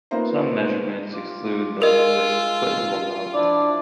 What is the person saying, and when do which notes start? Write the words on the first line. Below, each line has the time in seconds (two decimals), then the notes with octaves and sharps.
Some measurements exclude the first foot-rollout.
0.11 A#3 B3 D#4 F4 A#4 C5
1.13 F4 D6
1.82 G#3 F4 A#4 D#5 E6
3.34 F3 D4 E4 D5